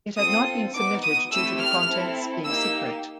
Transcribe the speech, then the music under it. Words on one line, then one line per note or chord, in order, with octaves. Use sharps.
It had not been submitted due to the contents being secret.
C4 F4 A4 D#6
B3 D#4 F#4 D6
D#6
A3 C4 E4 G4 E6
F6
C4 E4 A4
A#3 D#4 G4 E6